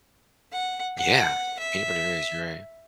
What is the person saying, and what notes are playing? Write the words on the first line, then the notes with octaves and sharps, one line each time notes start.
Yeah, peanut butter is, right.
F#5
F#5
E5